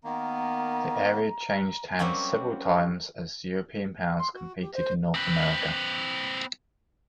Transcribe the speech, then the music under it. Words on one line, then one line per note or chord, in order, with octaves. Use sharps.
The area changed hands several times as European powers competed in North America.
D#3 A#3 B3 A#5
F#3 G3 A#3 C4 C#4
C6
F#4
G4
C5
C4 B4